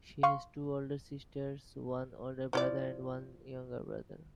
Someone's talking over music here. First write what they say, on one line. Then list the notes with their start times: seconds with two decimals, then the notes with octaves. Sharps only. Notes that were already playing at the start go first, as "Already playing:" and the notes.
She has two older sisters, one older brother and one younger brother.
0.23 F5 C6 C#6
2.53 F3 E4 D5